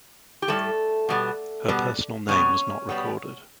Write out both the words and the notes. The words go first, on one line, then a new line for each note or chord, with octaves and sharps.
Her personal name was not recorded.
G4
A2 G3 A3 B3 A4
B2 G3 B3
B2 G3 B3
B2 G3 B3 C#4 C#5
B2 G3 B3